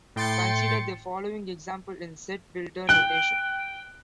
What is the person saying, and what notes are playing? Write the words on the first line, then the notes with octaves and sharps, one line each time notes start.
Consider the following example in set-builder notation.
A2 G5 C6 A6 C#7
G5 F#6